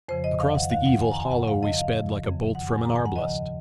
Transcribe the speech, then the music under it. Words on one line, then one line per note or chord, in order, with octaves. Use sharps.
Across the evil hollow we sped like a bolt from an arblast.
F2 C#3 F3 C5
D#5
F2 D#3 F5
F#5
D#2 D#3 F5
F#5
F#2 D#3 G#5
A#5
G#5
F#2 C#3 F3 F#5
F5
F#2 C#3 F3 D#5
F5
F2 C#3 F3
F#2 C#3 F3
F2 D#3 F#5
G#5
G#2 D#3 A#5
G#5
F#5
D#2 C#3 F3 D#5